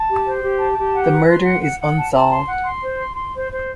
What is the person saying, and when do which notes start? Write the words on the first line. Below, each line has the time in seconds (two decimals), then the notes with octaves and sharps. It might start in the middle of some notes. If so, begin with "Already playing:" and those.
The murder is unsolved.
Already playing: A5
0.08 G4
0.25 C5
0.42 G4
0.59 A5
0.76 G4
0.93 F#5
1.10 B4
1.28 C6
1.45 F#5
1.62 F#5
1.79 F#5
1.96 A5
2.13 A5
2.31 C6
2.47 F#5
2.64 C6
2.82 C5
2.98 C6
3.15 C6
3.33 C5
3.50 C5